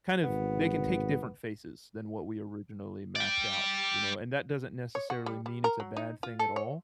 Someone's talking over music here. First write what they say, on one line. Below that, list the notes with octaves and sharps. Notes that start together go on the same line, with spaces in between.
kind of they can take different faces than what we originally mapped out, you know? And that doesn't necessarily mean it's a bad thing at all.
G#1 B3
D5 G5
C#5
F#4
G3
G3
A#4
F#3
D#4
F4
A4
C#5